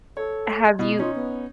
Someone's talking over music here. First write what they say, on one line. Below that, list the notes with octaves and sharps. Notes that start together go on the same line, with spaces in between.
have you
A4 C#5
B2 E4
C#4 D#4 F4
B3